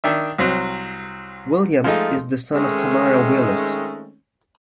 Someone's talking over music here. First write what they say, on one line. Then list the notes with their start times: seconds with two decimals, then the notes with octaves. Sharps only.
Williams is the son of Tamara Willis.
0.04 D#3 D4 E5
0.38 C2 F#3 C4
1.84 F3 G#3 A3 D#4 F4
2.54 D#3 G#3 A3 C4 C#4 D#4